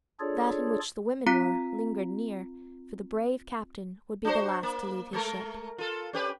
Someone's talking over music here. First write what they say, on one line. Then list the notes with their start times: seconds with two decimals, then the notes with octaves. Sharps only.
That in which the women were lingered near, for the brave captain would be the last to leave his ship.
0.20 D4 F4 G#4 A4 C#5 D5
1.26 C4 F4 A#5 B6
4.25 D4 F#4 C5
4.63 A#3
5.13 G#3 A3 A#4
5.78 F4 A4
6.13 C#4 G4 B4